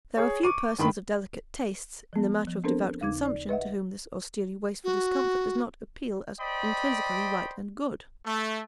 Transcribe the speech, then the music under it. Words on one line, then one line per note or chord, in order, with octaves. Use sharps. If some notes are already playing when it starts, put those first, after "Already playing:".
There are few persons of delicate tastes, in the matter of devout consumption to whom this austerely wasteful discomfort does not appeal as intrinsically right and good.
G#4 C#5
C#6 D6 D#7
G2 D#3 G5 B5
F3 G3 B3
F3
B3 C4 D4 A4 A#4 C5
D#2 C#3 D#4 D6 G#6
D5
B4 D#5 E5 F#5
F#4
C5 D5 D#5 G5 B5
A3